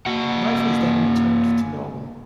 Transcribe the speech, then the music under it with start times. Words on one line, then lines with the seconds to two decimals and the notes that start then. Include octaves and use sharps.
Life is then returned to normal.
0.06 A#3 F#4 F#5